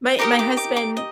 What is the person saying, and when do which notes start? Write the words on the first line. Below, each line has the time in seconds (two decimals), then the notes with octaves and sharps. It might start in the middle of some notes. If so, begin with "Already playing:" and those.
my my husband
0.19 D#4 G4 A#4 D#5 D6
0.39 D6
0.57 D6
0.77 D6
0.97 D#5